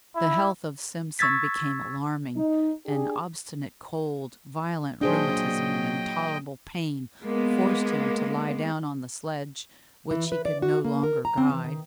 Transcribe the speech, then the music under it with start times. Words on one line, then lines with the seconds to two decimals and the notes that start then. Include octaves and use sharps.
The health of Simpson became alarming; an obstinate cold, violent rheumatism, and intolerable pain forced him to lie down on the sledge, which he could no longer guide.
0.16 E4
1.19 C#6 E6 G#6 A6 B6
2.36 D#4
2.85 D4 G4 G#4
5.01 A#2 F#3 D4 G#4 C5 D#5 G5
7.24 G#3 A#3 B3
10.11 E3
10.32 B4
10.45 D5
10.62 F#4
10.85 A#3
11.03 A#4
11.25 A#5
11.38 C4
11.49 E3
11.64 D#3